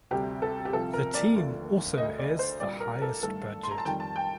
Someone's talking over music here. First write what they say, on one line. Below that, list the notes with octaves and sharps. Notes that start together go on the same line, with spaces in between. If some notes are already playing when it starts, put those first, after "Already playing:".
The team also has the highest budget.
D2 C3 G3 G4
A4
G4
C2 C3 F3 A4
A#4
D5
D#2 D3 F3 A3
D2 D3 A3 D#5
D5
C5
C2 A#2 G3 D5
A#4
A4
G2 D#3 A3 A4
C6
A#5
A5
F2 D#3 G3 G5
A5
G5